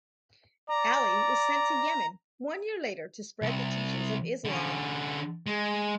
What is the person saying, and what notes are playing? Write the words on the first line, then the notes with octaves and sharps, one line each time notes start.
Ali was sent to Yemen one year later to spread the teachings of Islam.
D5 A#5
C2
D3 C#4
G#3